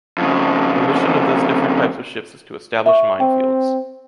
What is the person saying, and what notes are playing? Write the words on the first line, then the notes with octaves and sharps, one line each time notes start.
The mission of those different types of ships is to establish minefields.
F2 C#3
E5 C#6
C4 G5